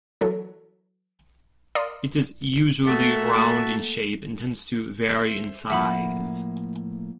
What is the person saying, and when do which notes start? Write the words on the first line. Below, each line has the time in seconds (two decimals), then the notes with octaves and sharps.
It is usually round in shape and tends to vary in size.
0.21 E3 F#3 A4
1.75 A#4 D5 F5 C6 D#6 F6
2.86 A3 A#3 F#4 E5 A5
5.09 C5 E5
5.70 A2 F3 A#3 E5 F#5 B5